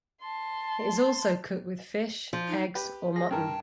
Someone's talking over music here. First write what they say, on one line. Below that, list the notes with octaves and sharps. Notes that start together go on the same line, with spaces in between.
It is also cooked with fish, eggs or mutton.
A5 C6
F3
D#4
G4 B4
G#4 A#6
G2 A#4 G5 A5